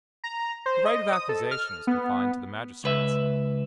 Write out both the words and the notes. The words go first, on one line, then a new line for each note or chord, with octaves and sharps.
The right of accusation was confined to the magistrates.
A#5
C5
D#5
D#6
A4
F6
B3
C#2 B4 E5